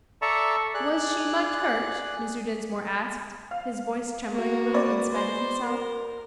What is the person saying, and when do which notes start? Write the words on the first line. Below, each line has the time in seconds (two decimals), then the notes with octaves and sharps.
"Was she much hurt?" Mr. Dinsmore asked, his voice trembling a little in spite of himself.
0.22 A4 D5 E5 A5 A#5 C#6
0.74 G#4 D5 F#6
3.51 F5
4.32 A#3 F#4
4.73 B4 D5
5.12 C5
5.65 A#4